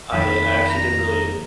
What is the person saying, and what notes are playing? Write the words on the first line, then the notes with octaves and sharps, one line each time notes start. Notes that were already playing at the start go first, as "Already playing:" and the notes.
I I actually did really
F2 A#2 D#3 B5
A#5